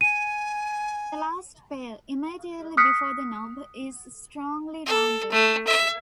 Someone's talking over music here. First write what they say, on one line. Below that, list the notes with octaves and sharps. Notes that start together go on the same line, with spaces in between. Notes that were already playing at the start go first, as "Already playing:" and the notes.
The last pair, immediately before the knob, is strongly rounded.
G#5 D#7
D#6 F6 F#6 B6 C#7
A4
A3
E5